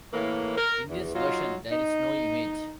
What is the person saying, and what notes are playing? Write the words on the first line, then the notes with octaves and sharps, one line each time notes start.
In this version there is no image.
A2 E3 A#3
A#4
E2
F#3 D#4 F4
D#4